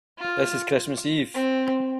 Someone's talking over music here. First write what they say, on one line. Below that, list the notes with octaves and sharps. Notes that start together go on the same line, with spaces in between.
This is Christmas Eve.
F4
C4